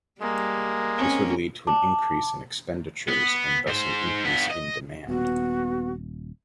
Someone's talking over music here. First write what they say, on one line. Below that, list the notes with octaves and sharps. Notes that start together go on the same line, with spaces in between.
This would lead to an increase in expenditures and thus an increase in demand.
G3 G#3 A#3
C4 C#4
A5 D6
B3
G#2 C5
G2 B3
D#5
D#1 B3 F#4